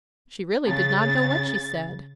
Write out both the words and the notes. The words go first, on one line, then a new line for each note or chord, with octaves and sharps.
She really did not know what she said.
C#3 A6